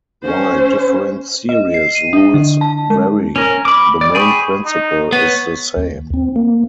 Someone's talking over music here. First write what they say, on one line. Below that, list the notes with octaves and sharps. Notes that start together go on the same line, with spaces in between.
While different series rules vary, the main principle is the same.
C#4 C5
D#5
C7
D#7
D4
D3
A5
G#3
C#4 A#4
B5 D6
D5
G#4 G5 B5 C#6
D#4
B3 C#5
D#2
C4
A#3